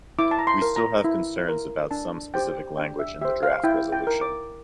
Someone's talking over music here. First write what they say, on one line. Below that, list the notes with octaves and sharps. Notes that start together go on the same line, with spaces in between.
We still have concerns about some specific language in the draft resolution.
E4 D6
A5
A#5
C6
A#4
A#5
E4
A#4
D4 A5
G4 C5 G5
D4 G5
E5
G4 C5 E5
F5
E4 G5
G5
A#4
D6